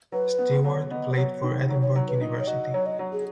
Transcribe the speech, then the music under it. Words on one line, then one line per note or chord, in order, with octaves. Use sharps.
Stewart played for Edinburgh University.
F#3 B4
B3
F#3 C#5
B3 D#5
B4
F#3 C#5
D#3
F#3 C#5
C#5
F#3
B4
D#4
C#5
F#4 D#5
F#3 C#5
D#5
F#3
G#4